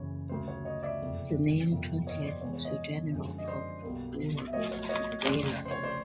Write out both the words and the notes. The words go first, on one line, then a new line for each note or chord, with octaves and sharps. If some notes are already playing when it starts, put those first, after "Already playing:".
The name translates to "General of Bravery and Valor".
Already playing: F#1 F#2 C#3 E3 C#5
D2 C#3 F#3 A#3 C5
C#5
C#5 D#5
D5 E5
F#1 F2 C3
G1 F2 C3 F3 A#3
C#5 D#5
C5 D5
E2 C3 E3 G#3 C#5
C#5
C#5 D#5
F#2 D3 F3 G#3
D#5
C5 D5
B1 B2 G3 A#3
E5
A#1 A2 F#3 A#3 C#5 D#5
C#5
C#5 D#5
F1 F2 C#3 C5 D5
C5
C#5
C5 D5